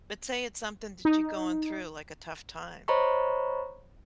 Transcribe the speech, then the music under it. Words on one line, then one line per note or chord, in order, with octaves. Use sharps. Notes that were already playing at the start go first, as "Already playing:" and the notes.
but say it's something that you're going through like a tough time.
D#4
C5 C#5 D#5 A#5 B5 C#6